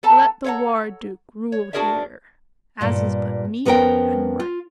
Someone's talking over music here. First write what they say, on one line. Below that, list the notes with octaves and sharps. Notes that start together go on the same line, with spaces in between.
Let the War-duke rule here, as is but meet and right.
B3 A4 A5 A#5
A4 C#5 F5 F#5 A#5
C#5
D4 F#4 G#4 A#4 D5 E5
G2 A#2
F2 B3 C#4 A#4 C5 G5
F4